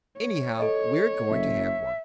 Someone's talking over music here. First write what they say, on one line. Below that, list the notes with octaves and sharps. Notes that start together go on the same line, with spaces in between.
Anyhow, we're going to have one.
C#5
A4 D#5
F#1 E5